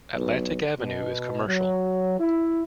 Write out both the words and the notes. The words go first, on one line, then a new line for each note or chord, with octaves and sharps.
Atlantic Avenue is commercial.
B1
B2
F#3
E4